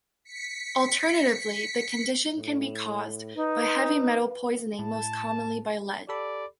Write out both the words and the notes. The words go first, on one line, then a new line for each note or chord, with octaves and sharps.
Alternatively, the condition can be caused by heavy metal poisoning most commonly by lead.
B6 C#7
A2
D#4 B4
A2 A5
G4 A4 D5 B5